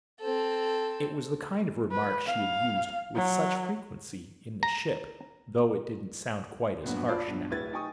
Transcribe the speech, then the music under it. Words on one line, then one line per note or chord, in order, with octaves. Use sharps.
It was the kind of remark she had used with such frequency in the ship, though it didn't sound quite as harsh now.
C4 A4
B4
F5
F#3
A#5
G2 A#2 F#3 B3 F#4
F4 D5 A5 B5
G2 B2 F#3
D1 E4 B4 G#6 A6
D#4 G5 G#5 C#6 D#6